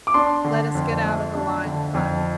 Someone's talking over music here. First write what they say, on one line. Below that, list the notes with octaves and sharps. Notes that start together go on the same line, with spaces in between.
"Let us get out of the line of fire."
D6
D4 C6
D3
F2
A3
D4
D3
F2